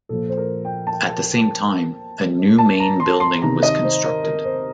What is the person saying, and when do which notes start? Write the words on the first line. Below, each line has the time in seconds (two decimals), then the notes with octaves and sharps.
At the same time, a new main building was constructed.
0.09 A#2 F3 A4
0.29 C5
0.38 A#4
0.65 G5
0.87 A5
0.93 G5
2.58 A5
2.80 A#5
3.00 C6
3.20 C6
3.42 C3 D#3 A#5
3.63 D#5
3.84 C5
4.04 A#4
4.24 A#4
4.45 C5